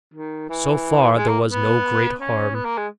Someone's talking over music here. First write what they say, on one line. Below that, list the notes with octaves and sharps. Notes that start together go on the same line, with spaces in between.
So far there was no great harm.
D#3
E3
G#3
A#3
B3
C#4
B3
A#3
G#3